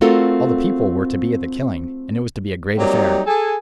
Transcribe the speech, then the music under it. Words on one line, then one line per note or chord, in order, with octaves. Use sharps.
All the people were to be at the killing, and it was to be a great affair.
A3 C4 F4 F#4 A4 A#4
F#3 G3 A#3 C4 D#4 G4
G#4 A4 G#5